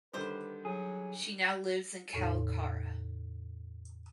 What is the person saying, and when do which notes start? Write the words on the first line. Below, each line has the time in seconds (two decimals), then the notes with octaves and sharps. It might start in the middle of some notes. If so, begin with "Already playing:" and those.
She now lives in Kalkara.
0.13 D3 D#3 G3 G4 B4 C5
0.65 F#3 G#4
2.13 E2 A2 C#3 D#4